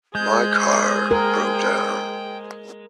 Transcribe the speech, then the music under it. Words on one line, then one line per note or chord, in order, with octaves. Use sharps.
My car broke down.
G#3 G#4 C5 G6
A#4 G5